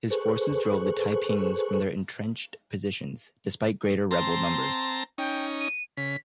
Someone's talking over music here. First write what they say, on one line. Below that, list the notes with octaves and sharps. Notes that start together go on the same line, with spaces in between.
His forces drove the Taipings from their entrenched positions, despite greater rebel numbers.
G#4 A4 B4 C5 C#6 F#6
C4 A5 A#5 C6
C#4 D#4 G5
D#7
C#3 B6